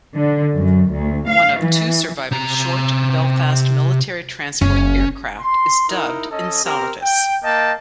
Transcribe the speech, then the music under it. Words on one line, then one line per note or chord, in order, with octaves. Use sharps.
One of two surviving Short Belfast military transport aircraft is dubbed "Enceladus".
D3
F#2
D2
F5
E3
C3 A#5
F#1 C#4
C6
D#4 E4 A#4
C#4 A4 D#5
C4 G4 A#4
G5
A#3 D#5 G5 A5